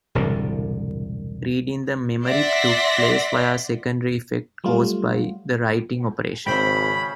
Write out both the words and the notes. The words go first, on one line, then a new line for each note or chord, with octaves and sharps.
Reading the memory took place via a secondary effect caused by the writing operation.
E1 C2 A2 D3
D5 E5 F#5 C6 A#6 B6
F#3 G3 A3 F4 F#4
G#1 C#3 C4 C5 G5 B5